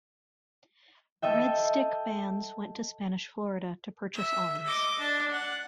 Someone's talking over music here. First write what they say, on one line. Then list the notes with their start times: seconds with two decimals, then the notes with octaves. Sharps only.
Red Stick bands went to Spanish Florida to purchase arms.
1.22 A4 D#5 E5 G5
4.14 E5
4.66 D#5 D6
4.99 D4 A5
5.31 F#5